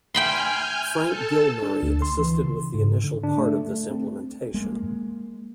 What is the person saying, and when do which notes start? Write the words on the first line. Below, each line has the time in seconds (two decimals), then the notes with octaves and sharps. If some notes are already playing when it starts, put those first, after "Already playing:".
Frank Gilmurray assisted with the initial part of this implementation.
0.14 G5 G#5 B5 C6 F6 G6
1.07 A4 A5
1.62 D4
1.83 D2
2.02 C6
2.18 E3
2.41 C#3
2.74 G#2
3.04 D3
3.24 D4
3.38 A3
3.66 A3
3.90 C4
4.54 G#3 A#3